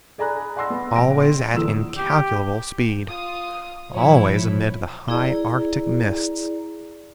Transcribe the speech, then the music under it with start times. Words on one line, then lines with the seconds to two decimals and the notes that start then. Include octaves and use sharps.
Always at incalculable speed! Always amid the High Arctic mists!
0.18 G#4 D5 G#5 A#5 B5 F#6
0.56 D5 F#5 B5 C6 E6 A#6
0.70 B3
0.95 A#1 G5 A#6 D7
1.20 C6 D7
1.54 E2 A#2 D3 D#6 E6 E7
1.98 G4
3.06 F4 D#6
3.93 A#2 F3 E4 C#5
5.08 E4 G#4 D5 A#5